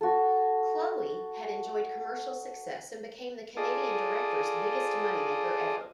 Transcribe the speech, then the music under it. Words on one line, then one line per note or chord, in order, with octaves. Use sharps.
"Chloe" had enjoyed commercial success and became the Canadian director's biggest money maker ever.
F#4 A4
F4 G#4 A4 D5 D#5